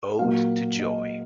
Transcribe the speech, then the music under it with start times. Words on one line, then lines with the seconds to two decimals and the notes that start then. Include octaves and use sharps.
"Ode to Joy".
0.19 A#2 F#3 A#3 F5
0.79 D#5